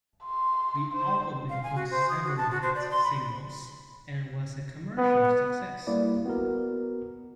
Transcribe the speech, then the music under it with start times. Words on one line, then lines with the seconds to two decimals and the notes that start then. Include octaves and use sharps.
The album includes several hit singles and was a commercial success.
0.25 C6
0.95 C5
1.49 F5
1.63 G#5
1.75 F#4
1.91 C5
2.09 D#6
2.24 F#4
2.37 A5
2.51 F#4
2.62 C5
2.75 D5
2.91 C6
3.03 B5
4.98 B3
5.87 G3 A#3 E4 D5
6.25 B3 F#4 A#4